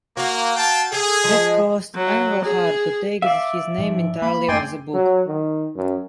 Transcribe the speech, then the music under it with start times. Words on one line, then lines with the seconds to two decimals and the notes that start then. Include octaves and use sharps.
This caused Englehart to take his name entirely off the book.
0.17 A#3 F#4
0.57 F5 G5 A5
0.93 G#4 A4
1.24 F3 G#3
1.95 F#3
2.44 G#4
3.22 D5 E5 F5
3.78 G#2 F3
4.22 A#3 B5
4.49 F#2 A3 D5 G5 G#5 C6
4.93 F#3
5.27 D#3
5.76 F#2